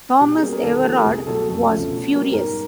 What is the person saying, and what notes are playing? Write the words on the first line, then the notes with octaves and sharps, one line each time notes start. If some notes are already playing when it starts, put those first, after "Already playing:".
Thomas-Everard was furious.
B2 G4
G#4
G3 A#3 C#4
A#4
D#2 A4
D3 F3 A#3 G4
C2 G#4
B2 F#3 A3 A4
F2 A4
C#3 F3 A3 C#4
B2
G3 A#3 C#4
G#2 A#4